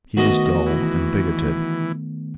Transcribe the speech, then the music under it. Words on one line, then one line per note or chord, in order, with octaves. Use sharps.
He was dull and bigoted.
D#3 A3 B3 F#4 B4 D#5
E3